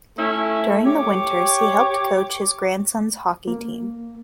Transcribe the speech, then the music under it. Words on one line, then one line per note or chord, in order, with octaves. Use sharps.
During the winters he helped coach his grandson's hockey team.
A3 C#4 E4
G4 C#5 D6
A#3